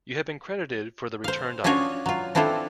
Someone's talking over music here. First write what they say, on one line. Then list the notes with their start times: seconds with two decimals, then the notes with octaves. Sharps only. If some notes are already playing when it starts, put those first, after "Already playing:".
You have been credited for the returned item.
1.24 C5 F5
1.64 C#4 D4 F4 F#4 C#5 D#5
2.06 F#3 F4
2.35 C4 D4 E4 F4 A4 C5